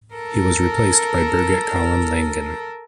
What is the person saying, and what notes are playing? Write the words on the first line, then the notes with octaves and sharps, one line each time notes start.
He was replaced by Birgit Collin-Langen.
A4 A#4